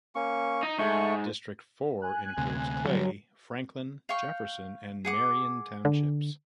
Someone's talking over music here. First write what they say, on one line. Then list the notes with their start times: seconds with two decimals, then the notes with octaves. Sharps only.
District Four includes Clay, Franklin, Jefferson, and Marion Townships.
0.15 A#3 C#4 C#6
0.63 D#4
0.79 G#2 A3 C#6
2.02 G#5 F#6
2.38 D2 C3
2.87 D3 D#3 F#3 G3
4.09 F5 G5 C#6
5.05 G#4 F#5 D6
5.85 D3